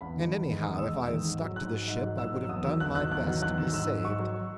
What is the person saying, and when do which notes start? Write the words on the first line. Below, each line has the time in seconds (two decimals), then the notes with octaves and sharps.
And, anyhow, if I had stuck to the ship I would have done my best to be saved.
0.01 E2 B5
0.16 D#3 G#3
0.31 E2
0.48 D#3 G#3
0.63 E2 D#6
0.78 D#3 G#3 E6
0.94 E2
1.10 D#3 G#3
1.25 G#2
1.41 F#3
1.56 G#2 F#6
1.72 F#3
1.88 G#2
2.03 F#3
2.18 G#2 E6
2.34 F#3
2.49 E2 D#6
2.65 D#3 F#3 E6
2.80 E2 F#6
2.95 D#3 F#3 F#6
3.11 E2 F#6
3.27 D#3 F#3
3.42 E2 F#6
3.58 D#3 F#3 E6
3.73 G#2 E6
3.88 F#3
4.04 G#2 C#6
4.19 F#3